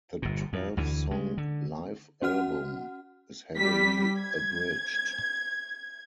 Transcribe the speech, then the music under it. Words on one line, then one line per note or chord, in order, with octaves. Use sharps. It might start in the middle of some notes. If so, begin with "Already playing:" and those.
The twelve song live album is heavily abridged.
G1 A#2
F2
D2 D3 E3
C#3 G#3
D3
C#4 F#4 F#5 F6
G3 B6
G#6